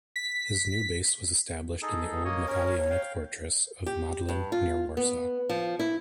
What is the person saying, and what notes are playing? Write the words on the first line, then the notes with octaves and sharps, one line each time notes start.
His new base was established in the old Napoleonic fortress of Modlin, near Warsaw.
B6
D#4 G#4 A4
A#3 C#5 D#5
C#4 A#4 C#5
F5 G5
G4
G2
F4
B3
F3
E4